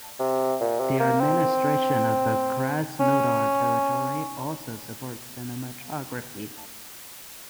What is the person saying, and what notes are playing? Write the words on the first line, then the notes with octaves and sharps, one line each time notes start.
The administration of the Krasnodar Territory also supports cinematography.
C3
A#2
C3
A#3
C4
C#4